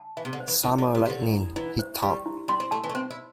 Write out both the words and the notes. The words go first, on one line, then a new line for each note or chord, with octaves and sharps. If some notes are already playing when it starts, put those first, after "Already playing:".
"Summer lightning," he thought.
Already playing: A5
E3 E5
C3
D3
C5
E3
D3 E4
D3
C5
C3
C3
D3 G4
E4
E3 E4
C5
G3 G4
E4
G3 C6
C4
A3 A5
E3
A3
C4 C5
E4